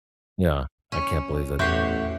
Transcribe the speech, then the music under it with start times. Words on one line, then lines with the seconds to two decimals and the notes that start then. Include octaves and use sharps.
yeah. I can't believe that
0.92 C#4
1.59 A1 E2 F#4 G4 C5 C#5 E5 G6